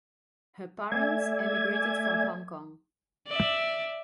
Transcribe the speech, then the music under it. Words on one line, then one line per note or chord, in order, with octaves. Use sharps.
Her parents emigrated from Hong Kong.
A3 D5 E5 G#5 G#6
D5 E5